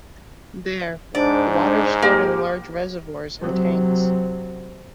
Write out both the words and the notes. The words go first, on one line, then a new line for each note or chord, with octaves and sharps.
There, the water stored in large reservoirs and tanks.
G#2 D4 C5 D5
D4
A#3 G4
C3 F#3